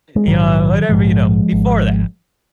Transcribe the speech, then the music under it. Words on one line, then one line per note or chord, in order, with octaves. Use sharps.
you know, whatever you know, before that,
G#3
A#1 G#2 D#3 F#3
A#1 G#2 F3 G#3
G#1